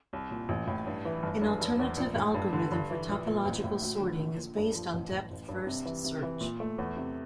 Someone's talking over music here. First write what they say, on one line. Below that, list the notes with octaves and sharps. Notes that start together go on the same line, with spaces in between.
An alternative algorithm for topological sorting is based on depth-first search.
C2
A#2
A1
A2
G2
E3
G1
G2
F1
E2
A#1
A2
G2
D3
G2
E3
A#1
A#2
A1
A2
D2
D3
A#1
A#2
G2
F3
A1
A2
A1
G2
C3
E3
C3
E3
A#2
A3
E2
C3